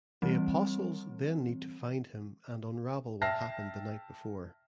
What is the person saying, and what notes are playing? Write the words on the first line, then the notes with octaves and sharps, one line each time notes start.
The apostles then need to find him and unravel what happened the night before.
E3 G3 C4
E5 G5 A5 F6 A#6 C7